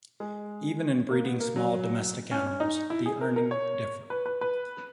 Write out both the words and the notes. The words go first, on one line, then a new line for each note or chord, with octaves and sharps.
Even in breeding small domestic animals, the earning differ.
G#3
A#3
B3
A#3
F#3
C#4
C#4
D#4
E4
G#4
A#4
A#4
C#5
B4
B4
B4